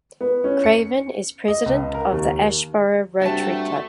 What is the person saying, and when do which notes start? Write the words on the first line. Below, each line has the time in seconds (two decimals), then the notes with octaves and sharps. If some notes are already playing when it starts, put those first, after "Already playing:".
Craven is President of the Asheboro Rotary Club.
0.21 B3
0.44 C#4
0.64 C#7
1.48 D#5
1.66 C#2
1.94 A#4
2.12 D#2
3.21 G2 C3 A3 F#4 A5